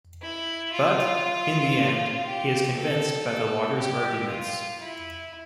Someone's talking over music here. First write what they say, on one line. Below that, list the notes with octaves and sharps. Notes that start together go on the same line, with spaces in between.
But in the end, he is convinced by the logger's arguments.
E4
F4
G4
A4
A4
G4
F4
E4